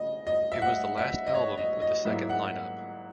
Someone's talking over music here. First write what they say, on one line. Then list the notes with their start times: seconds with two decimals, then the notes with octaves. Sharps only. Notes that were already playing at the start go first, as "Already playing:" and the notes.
It was the last album with the second line-up.
Already playing: C#3 D#5
0.27 D#5
0.52 E5
0.62 F#5
0.98 E5
1.27 D#5
1.34 C#5
1.58 D#5
1.82 D#5
2.05 G#2 F#3 A#3 E4 E5
2.29 F#5